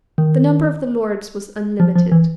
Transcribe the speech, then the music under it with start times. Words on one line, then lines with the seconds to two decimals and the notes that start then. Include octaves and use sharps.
The number of the Lords was unlimited.
0.18 D#3
1.80 F3
1.96 F3
2.12 E3